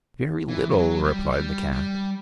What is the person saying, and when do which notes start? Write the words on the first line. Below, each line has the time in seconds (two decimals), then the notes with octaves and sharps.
"Very little," replied the cat.
0.49 E3
0.70 E3
0.75 F#3
1.03 G3
1.30 G3
1.72 G3